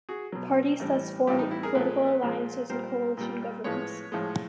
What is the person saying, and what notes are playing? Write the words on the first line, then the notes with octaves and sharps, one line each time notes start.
Parties thus form political alliances and coalition governments.
F#4 G#4
B2 F#3
A2 E3 G3
A2 E3 G3 F4 G4
D#4
E4
G#4 A#4
A#2 F3 G#3 A4 B4
A#2 F3 G#3
A#2 G3 A#4 C5
A#2 G3
A2 F3 G#3 B4 C#5
A2 F3 G#3